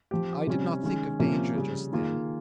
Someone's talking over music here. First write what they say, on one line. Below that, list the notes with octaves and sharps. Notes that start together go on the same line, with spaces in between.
'I did not think of danger just then.
F3 C4 G4
C3 G3 C#4
D#3 G#3 C#4
C3 F3 A#3 C#4 F4
C#3 G3 C#4
D#3 A#3 F4 G#4